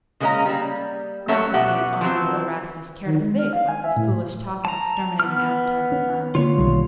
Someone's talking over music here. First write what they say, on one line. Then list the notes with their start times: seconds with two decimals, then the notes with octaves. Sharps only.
Not that the Honorable Erastus cared a fig about this foolish talk of exterminating advertising signs.
0.20 C#3 G#3 A#3 C#4 D#5 A#5
0.45 G3 A#3
1.28 F#3 A3 C#4 A4 C#5 E5
1.54 B2 G4 E5 F#5
2.01 F3 F#3 C4
3.05 D#3
3.20 G#3
3.39 F6
3.53 F5
3.69 G#5
3.84 E5
3.97 A2
4.65 A5 A#5
5.20 B3 F6
5.92 C#4
6.35 D3 A#3 F4 C#5
6.57 B1 D#3 G3